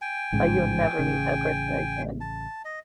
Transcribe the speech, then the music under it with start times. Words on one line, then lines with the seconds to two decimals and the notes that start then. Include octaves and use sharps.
Like, you'll never meet that person again.
0.01 G5 G#5
0.32 A1 G#2 C#3
0.99 A1 C#3
2.21 A5
2.65 D#5